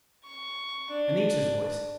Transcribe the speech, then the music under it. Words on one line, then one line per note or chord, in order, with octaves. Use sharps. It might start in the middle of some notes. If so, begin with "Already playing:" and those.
Anita's voice!
C#6
D4